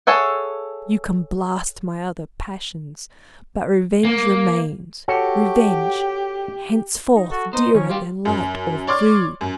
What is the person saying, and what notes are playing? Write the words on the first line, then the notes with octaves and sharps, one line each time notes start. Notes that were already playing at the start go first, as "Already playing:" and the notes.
You can blast my other passions, but revenge remains--revenge, henceforth dearer than light or food!
G#4 A4 C#5 E5 F#5
A#3
F#4 G4 A4 C#5
D#4
F#4 A4
B3 D#4 C5
D#3 C#4 C#5
G3 F4 G4 F5 G5
F#2
C#5 D5 C6 D6 F6
F#2